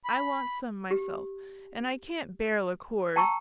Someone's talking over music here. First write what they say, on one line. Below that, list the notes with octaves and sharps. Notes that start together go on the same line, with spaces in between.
I want some myself, and I can't bear liqueurs.
B5
G4
G5 A5 A#5 C#6 E6